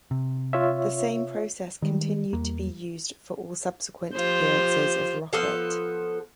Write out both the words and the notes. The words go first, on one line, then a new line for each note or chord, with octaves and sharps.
The same process continued to be used for all subsequent appearances of Rocket.
C3
F4 C#5 E5
D#3 G3 G#3
E2 A#3
F3 F4 G4 C5
F3 B3 A4 F5